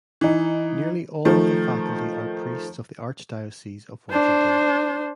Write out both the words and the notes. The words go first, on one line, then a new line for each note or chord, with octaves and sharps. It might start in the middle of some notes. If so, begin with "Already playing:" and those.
Nearly all of the faculty are priests of the Archdiocese of Washington.
E3 D#4
D#3 F3 A3
D4 C5